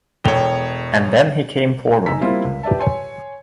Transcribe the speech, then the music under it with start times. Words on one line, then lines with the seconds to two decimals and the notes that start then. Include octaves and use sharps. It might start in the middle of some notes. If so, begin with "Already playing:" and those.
And then he came forward.
0.24 E1 E2 A4 C#5 G5 F7 G7
2.06 F#1 D#4 G#5 A#5 E6 B6
2.21 G3 A#3 C4 E4 F4
2.45 C#2
2.63 G4 B4 D5 E5 A5
2.79 C#5 G#5 C6